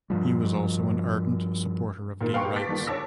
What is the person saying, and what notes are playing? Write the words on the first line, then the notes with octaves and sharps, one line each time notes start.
He was also an ardent supporter of gay rights.
G2 F3 G3
A#2 D#3 A#3
B4 F5 G5 C6 C#6
G4
A5 D6 A6 B6
G1 D#3
C#5 A5 D6 E6 A#6